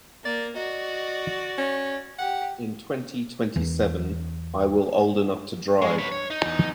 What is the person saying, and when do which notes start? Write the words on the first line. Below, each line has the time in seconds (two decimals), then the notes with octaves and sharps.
In twenty-twenty-seven I will old enough to drive.
0.25 A#3 D5
0.56 F#4 D5 D#5
1.58 C#4
2.19 G4 F#5
3.56 E2 E3
5.82 G2 G#3 C#6
5.98 B4 C#5
6.12 C#5
6.30 D#4
6.45 E2